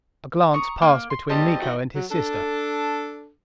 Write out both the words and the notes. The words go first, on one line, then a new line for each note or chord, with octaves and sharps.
A glance passed between Miko and his sister.
A#5 C#6 D#6
A#3
C6
E2 G3 C4 G4 D#5 A5
E3 D#4 F#4
F#3
D4 A4